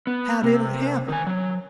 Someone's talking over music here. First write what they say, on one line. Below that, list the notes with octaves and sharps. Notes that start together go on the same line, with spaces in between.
"How did it happen?"
B3
C3
D#3 G#5
F#3